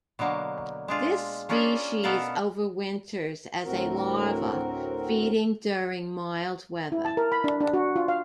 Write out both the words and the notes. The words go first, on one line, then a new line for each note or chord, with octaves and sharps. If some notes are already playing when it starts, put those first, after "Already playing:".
This species overwinters as a larva, feeding during mild weather.
B2 D3 F#3 A#3
G#3 D4 F4
A#3 C#4 D4 F4 G#4
B2 B3 A4 A#4 F5 A#5
D2 A2 C4 F#4 A#4
E4
A5
A#4
B5
D4
D4
F#4
F4
F5